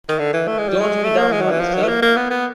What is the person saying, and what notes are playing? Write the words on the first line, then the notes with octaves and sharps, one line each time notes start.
Don't be down-hearted, sir.
D#3
D3
E3
A3
G#3
G3
G#3
A3
A#3
G#3
F#3
E3
F3
F#3
A3
A#3
A#3
B3
B3